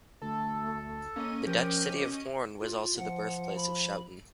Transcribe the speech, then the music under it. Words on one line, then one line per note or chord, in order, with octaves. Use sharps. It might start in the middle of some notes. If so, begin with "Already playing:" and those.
The Dutch city of Hoorn was also the birthplace of Schouten.
D2 A3 A4
A#3 C#4 D#5 D#7
F3 G4 A#4
F4
F3 F#5
B5